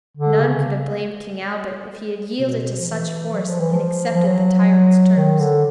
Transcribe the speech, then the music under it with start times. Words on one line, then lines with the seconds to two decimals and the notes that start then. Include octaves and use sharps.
None could have blamed King Albert if he had yielded to such force and accepted the tyrant's terms.
0.17 D3
0.40 C#3
2.39 C3
2.44 B2
2.79 F3
2.90 E3
3.34 F#3
3.47 F3
3.60 E3
3.73 F3
4.15 F3
4.25 F#3
5.17 D#3
5.39 D3